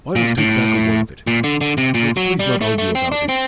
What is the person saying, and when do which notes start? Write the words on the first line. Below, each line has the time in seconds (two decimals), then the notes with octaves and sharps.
I don't take back a word of it. Let's please not argue about it.
0.16 A#2
0.38 A2
1.27 A#2
1.44 D3
1.61 D3
1.78 C3
1.94 A#2
2.17 F#3
2.39 G3
2.61 A3
2.78 A3
2.95 C4
3.12 D4
3.29 C4